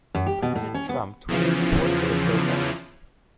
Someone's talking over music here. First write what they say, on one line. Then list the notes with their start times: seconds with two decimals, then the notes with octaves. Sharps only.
President Trump tweeted support for the protests.
0.15 F#2
0.26 G4
0.42 B2
0.55 A2
0.74 C#4
0.89 B3
1.28 E2 C#3 E3 F3